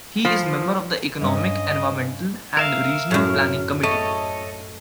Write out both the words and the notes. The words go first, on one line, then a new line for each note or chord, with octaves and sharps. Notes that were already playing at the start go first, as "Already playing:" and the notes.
He is member of the Economic, Environmental and Regional Planning Committee.
F3
G2 C#4 D#5
A#4 E5 F5
F#2 A2
A3 A4 C#5 D#5